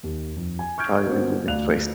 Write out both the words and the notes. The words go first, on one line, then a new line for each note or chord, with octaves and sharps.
Probably be my next place.
D#2
F2
G#5
C#6 F6 G6 G#6 D7
A#3 B3 C#4 D4 F#4 C5
D2 D5 F5 F#6 F7